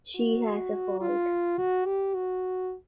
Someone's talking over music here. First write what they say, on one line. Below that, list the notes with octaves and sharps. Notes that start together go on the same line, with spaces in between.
She has a fault.
F#4
F4
F#4
G4
F#4